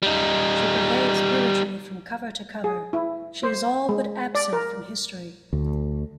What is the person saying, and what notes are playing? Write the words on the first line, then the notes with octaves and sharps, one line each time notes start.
She pervades poetry from cover to cover; she is all but absent from history.
G3 D#4
G#4
E4
C5
G#3
D5
A#4
D2